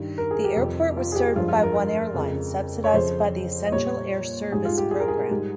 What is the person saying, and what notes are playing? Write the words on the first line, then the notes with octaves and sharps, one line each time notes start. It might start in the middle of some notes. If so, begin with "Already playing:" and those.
The airport was served by one airline, subsidized by the Essential Air Service program.
Already playing: G2 D#3 G3
A#4
G#4
G4
F2 C3 G3
F4
G#4
G4
G2 F3 G#3 F4
F4
A#4
A#4
F2 C#3 G#3
C#5
F2 C#3 F3 C5
D#5
A#2 G3 C#5
G#2 G3 G#4
F4
G4
G#4
A#4
G#4
G#2 G3